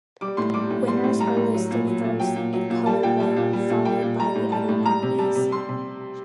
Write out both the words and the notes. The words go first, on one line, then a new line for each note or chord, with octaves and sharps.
Winners are listed first in colored row, followed by the other nominees.
G3 D6
A2 C6
G3 D6
A2
G3 C6
A2
G3 A#5
A2
F#3
A#2
F#3
A#2
F#3 G5
A#2
F#3
A#2
G3 A5
A#2 G5
G3
A#2
G3
A#2
G3 G5
A#2
G3 A#5
A2
G3 A5
A2
G3 A#5
C3
G3 A5
C3
G3 C6
C3